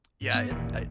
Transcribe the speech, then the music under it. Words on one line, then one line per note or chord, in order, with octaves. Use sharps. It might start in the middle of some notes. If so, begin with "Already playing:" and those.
Yeah, it I uh,
G#2
B3
E1 D#2 A#2 E3
A1